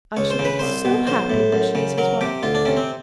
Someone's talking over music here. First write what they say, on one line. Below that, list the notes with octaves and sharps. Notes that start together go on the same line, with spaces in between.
I shall be so happy when she is his wife.
C#2 C#5
C5
C#3
B4
C2 C5
B2
B1 C5
A2
F#2
C#3
F#3 A#4
C3 G4
D2 F4
D4
C3 C#4
C4